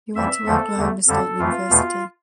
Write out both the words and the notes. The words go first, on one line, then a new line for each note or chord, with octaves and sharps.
He went to Oklahoma State University.
F2 E3 G3 E5
E2 D3 F3 A3 A4
E2 D3 A3
F2 D3 G3 A4
F2 E3 A3 F4
E2 B2 A3